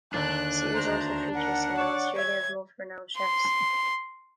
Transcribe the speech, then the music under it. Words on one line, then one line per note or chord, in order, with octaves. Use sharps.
The series also features some of Australia's most renowned chefs.
D#2 D3 D4 F#6
D2 C5 A#5
A#4 F#5
C#5 D5 C#6 E7
E5 G#6
C6